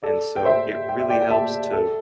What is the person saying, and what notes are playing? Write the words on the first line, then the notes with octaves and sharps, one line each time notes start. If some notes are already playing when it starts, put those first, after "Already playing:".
and so it really helps to
A4 D5
G5
C5 E5
G5
E5
D5 G5
G5
E5 A5
A4